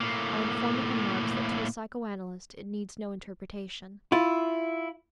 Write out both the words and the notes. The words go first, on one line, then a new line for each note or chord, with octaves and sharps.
Our informant remarks that to a psychoanalyst it needs no interpretation.
A2 A#3
E4 F4